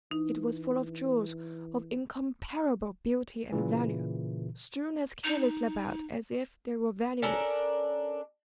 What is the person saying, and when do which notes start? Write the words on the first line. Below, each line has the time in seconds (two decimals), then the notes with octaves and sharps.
It was full of jewels of incomparable beauty and value, strewn as carelessly about as if they were valueless.
0.11 E3 D#4
3.52 A#2 C#3 E3
5.24 D#4
7.22 C#4 D4 A4 A#4